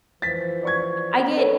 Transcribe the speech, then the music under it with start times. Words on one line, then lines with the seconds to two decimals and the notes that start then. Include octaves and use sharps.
I get
0.22 E3 F3 A6 B6
0.63 D5 C#6 G#6
1.37 A4 B4 C#5